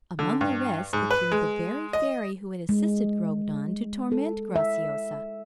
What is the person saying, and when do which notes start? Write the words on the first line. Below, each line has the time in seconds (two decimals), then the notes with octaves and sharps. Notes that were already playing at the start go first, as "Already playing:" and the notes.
Among the rest, appeared the very fairy who had assisted Grognon to torment Graciosa.
0.19 D3
0.41 G2
0.93 G#2
1.10 B4
1.32 G#3
1.93 D#5
2.69 G#3
4.12 A4
4.56 E5